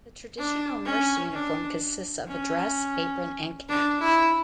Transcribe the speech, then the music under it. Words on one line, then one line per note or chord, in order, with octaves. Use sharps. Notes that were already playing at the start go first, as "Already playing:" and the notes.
The traditional nurse uniform consists of a dress, apron and cap.
D4
C#4
D4
C#4
D4
E4